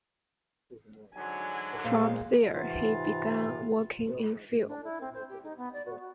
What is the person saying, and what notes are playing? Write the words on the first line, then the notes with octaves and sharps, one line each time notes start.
From there he began working in film.
G#2 D3 F#3 G#5
A#2 G#3 C5 F5
G#2 C3 E3 F4
D4
E4
C4
C5
G4
D#4
B3
D5
F#4
F#4